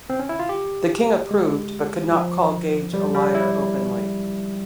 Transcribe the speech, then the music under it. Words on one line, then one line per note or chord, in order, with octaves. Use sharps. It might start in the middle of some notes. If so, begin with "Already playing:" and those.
The king approved, but could not call Gage a liar openly.
C4
C#4
E4
F4
G4
G#3
F3
G3
G3
E4